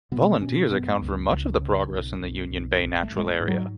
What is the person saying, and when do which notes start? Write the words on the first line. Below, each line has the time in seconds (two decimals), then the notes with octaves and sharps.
Volunteers account for much of the progress in the Union Bay Natural Area.
0.12 B2 B3
0.41 B2 C#4
0.71 F#1 B3
1.01 C#2
1.32 C#2
1.61 C#3
1.91 B1
2.20 B1
2.50 B1
2.80 A1
3.03 A3
3.11 A1
3.17 G#3
3.26 A3
3.40 G#2
3.48 F#3